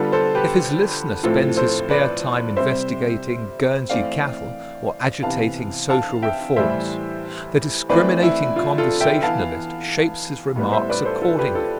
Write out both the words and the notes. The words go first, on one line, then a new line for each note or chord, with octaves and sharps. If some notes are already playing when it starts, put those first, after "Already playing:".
If his listener spends his spare time investigating Guernsey cattle or agitating social reforms, the discriminating conversationalist shapes his remarks accordingly.
Already playing: D3 G3 B3 F4 A4
A4 C5
G4 B4
A2 F3 C4 F4 A4
A4 C5
B4 D5
C3 G3 C4 C5 E5
E3 A3 C4 D5 F5
C3 E3 B3 F5 A5
F5 A5
E5 G5
A2 E3 G3 C5 E5
E3 A3 C4 B4 D5
E4
F4
F4 A4
E5 G5
E3 B3 F5 A5
A2 G3 B3
C5 E5
B4 D5
A4 C5
F4 A4
G4 B4
F4 A4